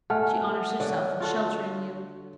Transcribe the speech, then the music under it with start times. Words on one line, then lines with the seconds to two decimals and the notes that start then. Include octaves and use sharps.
She honors herself in sheltering you.
0.10 A3 F#5 G#5 F6
0.80 D3 C#5
1.20 F4 F#4 A4